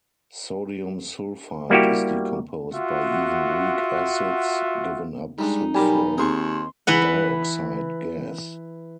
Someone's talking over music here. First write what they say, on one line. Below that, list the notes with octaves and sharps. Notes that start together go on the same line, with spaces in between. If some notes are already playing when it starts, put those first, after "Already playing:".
Sodium sulfite is decomposed by even weak acids, giving up sulfur dioxide gas.
G3 A#3 E4 F#4 G4
F4 F#4 E5 F#5
G3 G#3 D4 D#4
B1 G3 A#4 G#5 B5 D6
D#2 C4 G#4 C6 C#6
E3 B4 F#5